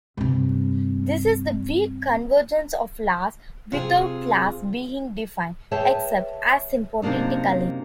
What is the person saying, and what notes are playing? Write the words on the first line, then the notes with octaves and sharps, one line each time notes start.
This is the "weak convergence of laws without laws being defined" - except asymptotically.
G2 C3
C3 F4 G#4
G#4 B4 C#5 E5 G5 A5
F#2 C3 A#3 D4 D#4